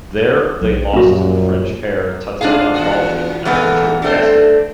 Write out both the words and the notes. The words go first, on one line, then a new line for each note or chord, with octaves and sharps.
There, they lost to the French pair Tatiana Golovin and Richard Gasquet.
B1
F#2 A#2 G3 A#3 C#4 F#4
D4 F4 G#4 F5
E2 A#2 F#4
A#2 E3 G3 A3 B3
A3 C4 D4 A4 C5